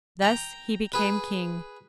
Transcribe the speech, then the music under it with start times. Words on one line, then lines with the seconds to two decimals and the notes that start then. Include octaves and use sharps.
Thus he became King.
0.22 G5 A#5
0.93 G#4 B4